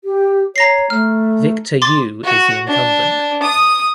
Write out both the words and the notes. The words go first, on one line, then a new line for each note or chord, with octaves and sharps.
Victor Yu is the incumbent.
G4
C#5 A#5 A#6 C7
A3 F6
C6 D6 A6
F#4
D4
D#6